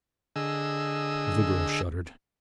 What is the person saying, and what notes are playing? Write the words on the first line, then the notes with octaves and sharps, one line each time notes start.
The girl shuddered.
D3 G#4 D#5 E6